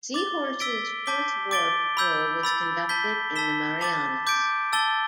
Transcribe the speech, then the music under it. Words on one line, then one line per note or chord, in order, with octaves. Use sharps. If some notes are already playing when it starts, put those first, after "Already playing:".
"Seahorse"'s fourth war patrol was conducted in the Marianas.
D6 A6 G7
E6 B6 D7 G7
A5 D6 G6 B6 G7
D6 A6 D7 G7
B5 E6 G6
B5 E6 A6
A5 G6 B6 G7
A5 E6 B6 E7 G7
A5 D6 A6
D6 G6 D7
A5 E6 A6 G7